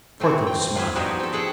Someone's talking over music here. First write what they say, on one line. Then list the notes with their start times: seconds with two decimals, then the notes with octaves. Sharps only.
Porthos smiled.
0.20 A3 C4 F#4
0.47 G5
0.75 F4 B4 E5 G#5
0.95 F3 B3 D4 D#4 F#4 G4
1.19 C4 A4
1.33 G#4 A4 F#5 G5